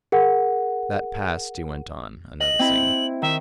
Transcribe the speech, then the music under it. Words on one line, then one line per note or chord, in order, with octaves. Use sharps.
"That passed," he went on, unnoticing.
G#4 A#4 F#5
D#5 F#7
C4 E4 E5
D#3 E5